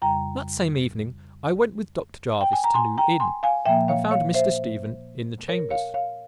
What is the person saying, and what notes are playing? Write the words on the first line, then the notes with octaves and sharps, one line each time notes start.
That same evening I went with Dr. Jervis to New Inn and found Mr. Stephen in the chambers.
F2 C#3 G3 G5 A#5
G5
G#5
A#5
G#5 C6
G5 A#5
G#5 C6
F5 G#5
A#2 F3 A#3 E5 G5
C#5 F5
C#5 F5
C5 E5
A#4 C#5
C#5 F5
C#5 F5